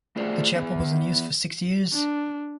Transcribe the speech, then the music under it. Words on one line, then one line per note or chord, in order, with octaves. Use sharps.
The chapel was unused for six years.
A3 F4 G#4 C5 D5
E3 B3
D4